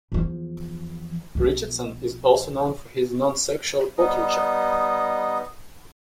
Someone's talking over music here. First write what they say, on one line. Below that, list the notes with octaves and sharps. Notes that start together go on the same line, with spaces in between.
Richardson is also known for his nonsexual portraiture.
E2 F3
B1 F3
G3 B3 D#4 D#5